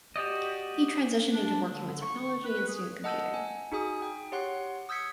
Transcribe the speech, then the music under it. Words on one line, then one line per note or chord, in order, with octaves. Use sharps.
He transitioned into working with technology and student computing.
F#4 G4 D5 D#5
D4
D3
C#6
B4
G#4
D#5 F#5 A5 E6 G6
G#5
D#4 F#4 G#4 G#5 D#6
G5
G4 C#5 F#5 C6 F#6
D#6 E6 G6 G#6 B6 C#7